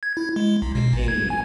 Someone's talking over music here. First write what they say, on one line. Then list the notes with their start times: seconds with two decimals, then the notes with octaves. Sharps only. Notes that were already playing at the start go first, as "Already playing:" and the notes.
it's such a
0.03 G#6
0.17 E4
0.36 G#3
0.62 B1
0.75 B2
0.93 A1
1.08 G#6
1.30 G#5